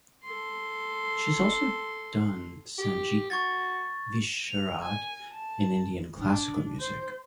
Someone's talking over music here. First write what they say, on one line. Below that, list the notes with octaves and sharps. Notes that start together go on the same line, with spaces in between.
She has also done Sangeet Visharad in Indian classical music.
A4 C6
G4
F#4 C#6 G#6 A6
F7
G#5
A5
D4
C5